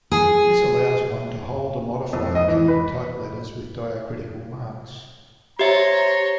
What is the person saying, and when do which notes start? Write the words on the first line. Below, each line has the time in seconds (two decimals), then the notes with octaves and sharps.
This allows one to hold a modifier key to type letters with diacritical marks.
0.12 G#4
2.13 F2
2.35 D#5
2.48 E3
2.68 B4
5.59 G4 C5 C#5 E5 A#5